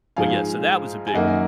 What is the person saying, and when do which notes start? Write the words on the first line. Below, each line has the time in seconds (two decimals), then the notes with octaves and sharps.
but yeah, so that was a big one.
0.16 G#2 F3 G#3 F5 G#5
1.07 G#5
1.14 F#2 D#3 A#3 D#5 F#5